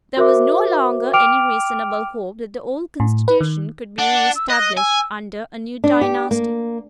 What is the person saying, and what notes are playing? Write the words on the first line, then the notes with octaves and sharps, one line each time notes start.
There was no longer any reasonable hope that the old constitution could be reestablished under a new dynasty.
F#4 A#4 C5 E5 D6
G5 D6 F6 D7 F7
A2
B4
D#3
D4 F#5
E6
D#5 F#6
G#5 E6
D4
G4
A#3